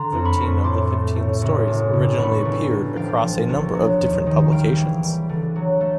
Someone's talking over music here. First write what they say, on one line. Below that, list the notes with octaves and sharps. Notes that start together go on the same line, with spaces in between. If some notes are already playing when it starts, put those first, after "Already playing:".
Thirteen of the fifteen stories originally appeared across a number of different publications.
Already playing: D3 A#5 C6
F2
B5 C#6
F2
A2 C6 D6
A3
A2
F#1
F#1
F#1
G1 B5 C#6
G1
G1
F3 F5 G5
F3
A#1
F#3
D#2
D#3
G3 F5 G5
E3
G3
D3
F#3
A3